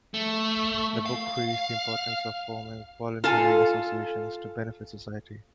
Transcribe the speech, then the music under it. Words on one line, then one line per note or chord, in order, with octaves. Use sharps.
The book preached the importance of forming voluntary associations to benefit society.
A3
F5
F4 A4 G#5